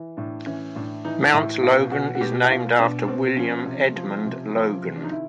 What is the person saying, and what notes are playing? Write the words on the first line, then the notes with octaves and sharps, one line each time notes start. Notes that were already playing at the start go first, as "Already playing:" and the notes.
Mount Logan is named after William Edmond Logan.
Already playing: E3
A2 D4
E3 C#4
A2 D4
E3 D#4
A2 E4
B2 F4
B2 F#4
F#4
B2 G4
E4
B2 F4
B2 D4
B2 C4
F3 C#4
C3
F3
C3
F3
C3
D4
D#4
D#3 E4